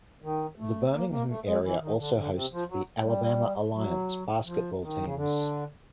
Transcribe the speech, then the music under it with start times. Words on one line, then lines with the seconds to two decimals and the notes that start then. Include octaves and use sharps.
The Birmingham area also hosts the Alabama Alliance basketball teams.
0.22 D#3
0.58 A3
0.93 A#3
1.11 A#3
1.28 A3
1.45 G#3
1.63 E3
1.80 D#3
1.98 D3
2.16 D3
2.33 C3
2.52 F3
2.69 F#3
3.04 G3
3.74 F#3
4.45 F3
4.80 D#3
5.03 C#3
5.15 D3